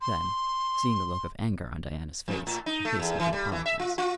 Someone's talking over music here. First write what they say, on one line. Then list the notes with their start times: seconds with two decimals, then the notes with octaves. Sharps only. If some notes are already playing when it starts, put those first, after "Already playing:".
Then, seeing the look of anger on Diana's face, he hastened to apologise.
0.01 C6
2.28 F2
2.47 A2
2.66 D#4
2.85 A3
3.00 E2
3.20 E3
3.33 G3
3.52 E3
3.66 E5
3.79 F4
3.98 F4